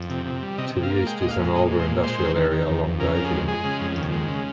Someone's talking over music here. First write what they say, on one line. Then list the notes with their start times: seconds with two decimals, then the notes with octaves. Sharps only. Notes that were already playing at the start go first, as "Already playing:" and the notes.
To the east is an older industrial area along Bayview.
Already playing: F2
0.10 C3
0.26 C3
0.43 G3
0.58 C3 D#5
0.75 C3
0.83 F5
0.90 A#3
1.06 G#3 G5
1.22 A#2 D#5
1.30 F5
1.39 G#3
1.54 A#2 D#5
1.71 G#3
1.79 C5
1.87 A#2
2.03 G#3 C5
2.19 D#3
2.35 D#3
2.51 D#3
2.67 F2
2.84 F2
2.99 C#3 A#4
3.15 F2 A#4
3.24 G#4
3.31 G#3
3.48 G#3 G#4
3.64 C#3
3.81 F2
3.97 D#2
4.12 G#3
4.28 C#3